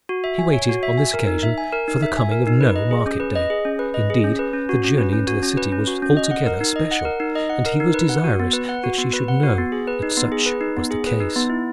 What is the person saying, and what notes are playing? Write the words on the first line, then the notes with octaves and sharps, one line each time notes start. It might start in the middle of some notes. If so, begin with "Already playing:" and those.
He waited, on this occasion, for the coming of no market-day; indeed, the journey into the city was altogether special, and he was desirous that she should know that such was the case.
F#4
E5
G#5
C#5
F#4
E5
G#5
A#4
D#4
E5
G#5
A#4
D#4
E5
G#5
A#4
D#4
B4
D#5
G#4
C#4
B4
D#5
G#4
C#4
B4
D#5
G#4
C#4
B4
C#4
F#4
C#4
B4
C#4
F#4
C#4
B4
C#4
F#4
C#4
D#5
F#5
A#4
D#4
D#5
F#5
A#4
D#4
D#5
F#5
A#4
D#4
B4
F#5
F#4
B3
B4
F#5
F#4
B3
B4
F#5
F#4
B3
G#4
B4
D#4
B3
G#4
B4
D#4
B3
G#4
B4
D#4
B3
E4